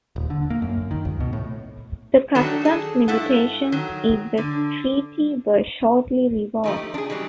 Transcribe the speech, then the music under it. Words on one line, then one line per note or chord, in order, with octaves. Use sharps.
The customs limitations in the treaty were shortly reworked.
D#1
D3
A#3
F#2
D#3
C#2
B2
A2
D#3 F#3 A3 D4 F#4 A4
G#4 A4
G2 E4 A4 F#5
D#3 F#3
D3
F3 A3 D#4
G4
D4 G#4
E3 F#3 G3 D4